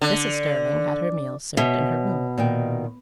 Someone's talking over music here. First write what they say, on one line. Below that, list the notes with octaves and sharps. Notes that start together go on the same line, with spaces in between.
Mrs. Sterling had her meals served in her room.
D3
B2 C#5 E5
A#2 D#3 G5